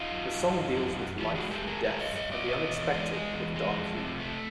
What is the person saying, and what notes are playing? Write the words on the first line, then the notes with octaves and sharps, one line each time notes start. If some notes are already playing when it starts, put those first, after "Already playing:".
The song deals with life, death and the unexpected with dark humor.
Already playing: D#4 F4
F#2
F#2
F#2
F#3
F#2
E3 F4 G4
F#4 G#4
G#3
G4 A4
G#3
G#4 A#4
G#3 G#4 A#4
C#5 D#5
G2
C#5 D#5
G2
D5 E5
B2 C#5 D#5
E2
G#3
G#3
E2
G#3
F2
C3
A3